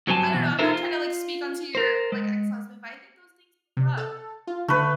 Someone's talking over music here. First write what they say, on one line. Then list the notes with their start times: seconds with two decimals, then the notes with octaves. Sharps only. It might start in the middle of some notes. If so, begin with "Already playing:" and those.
I don't know, I'm not tryna, like, speak on to your, like, ex-husband, but I think those things build up.
0.07 G2 F#3 C4 A#4 G#5 A5
0.33 B2 E3
0.59 D#4 F4 A4 A#4 C5 E5
0.73 F4
1.75 A#4 C5
2.12 G#3
3.77 C3
3.97 A4
4.47 F4
4.68 D3 A3 B4